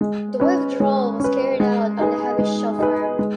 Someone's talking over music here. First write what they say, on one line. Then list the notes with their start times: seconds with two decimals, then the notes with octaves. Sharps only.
The withdrawal was carried out under heavy shellfire.
0.01 G#3
0.40 C#4 B4
0.80 G#3
1.20 C#4 B4
1.60 G#3
1.99 D#4 G#4 B4
2.39 G#3
2.79 D#4 G#4 B4
3.19 G#3